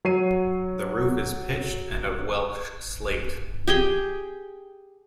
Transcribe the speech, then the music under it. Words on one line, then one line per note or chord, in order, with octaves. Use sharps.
The roof is pitched and of Welsh slate.
F#3 C#5 C7 D#7
G4 G#4 G5